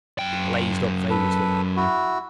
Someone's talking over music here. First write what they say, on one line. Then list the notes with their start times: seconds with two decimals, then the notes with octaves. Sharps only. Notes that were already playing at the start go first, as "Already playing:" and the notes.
It blazed up famously.
0.19 F#2 G5
1.10 A4 B4
1.76 E4 F#4